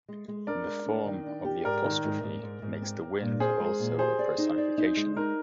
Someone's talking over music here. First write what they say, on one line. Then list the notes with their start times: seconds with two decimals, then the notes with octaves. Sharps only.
The form of the apostrophe makes the wind also a personification.
0.08 G#3
0.28 G#3
0.47 D4 A#4 D5
0.67 G#3
0.86 D4
1.06 D#3
1.26 D4
1.45 G4
1.64 G#2 A#4 D5
1.85 D#3
2.04 G#2
2.23 G#2
2.43 G#2
2.62 G#2
2.82 C4
3.02 C4
3.21 A#2
3.40 C4 G#4 C5
3.60 G#3
3.79 A#2
3.99 G4 G#4 C5
4.19 D5
4.38 D#4
4.57 D5
4.78 D#4
4.97 G#3
5.16 D#4 A#4